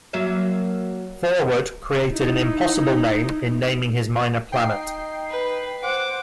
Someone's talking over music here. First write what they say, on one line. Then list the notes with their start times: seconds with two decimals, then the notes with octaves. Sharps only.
Forward created an impossible name in naming his minor planet.
0.13 F#3 A#3 E5
2.10 D#4 E4
4.52 D#4 G5 C7
5.30 B4
5.83 C5 F#5 D6